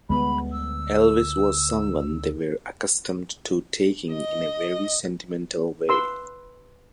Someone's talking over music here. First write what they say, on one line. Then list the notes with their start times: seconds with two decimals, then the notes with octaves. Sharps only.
Elvis was someone they were accustomed to taking in a very sentimental way.
0.10 D2 D3 G3 G#3 B3 B5
0.52 E6
4.13 D#5
5.89 B4 C6 E6